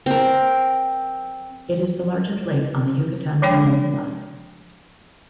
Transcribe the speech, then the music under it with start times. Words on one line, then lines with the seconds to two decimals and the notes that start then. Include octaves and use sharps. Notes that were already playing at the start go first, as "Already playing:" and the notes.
It is the largest lake on the Yucatan Peninsula.
0.06 C4 A#4
3.42 F3 G#3 D4 C#5 G5